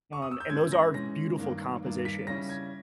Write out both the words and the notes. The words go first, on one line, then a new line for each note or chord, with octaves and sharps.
Um, and those are beautiful compositions.
C#6
D#6
E6
G6
G#2 E3 G#3 C#4 G#6
A#6
G#2 E3 G#3 C#4 A#6
G2 D#3 A#3
G2 D#3 A#3
B6
C#3 G3 C#4 E4 A#6
G#6